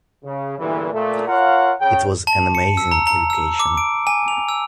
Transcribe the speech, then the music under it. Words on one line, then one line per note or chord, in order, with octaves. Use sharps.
It was an amazing education.
C#3
E2 G2 A#2 D3 E3
A#2 A3
F4 A#4 C#5 F5 F#5
C#3 G5
A5
C#7
E6
A#5
A#5
E6
D6
D7
G#5
F7
E6